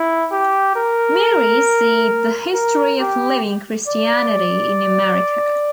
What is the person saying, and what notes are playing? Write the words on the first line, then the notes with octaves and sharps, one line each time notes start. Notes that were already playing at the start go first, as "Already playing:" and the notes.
Marie see the History of Living Christianity in America.
Already playing: E4
G4
A#4
A#4
G4
D5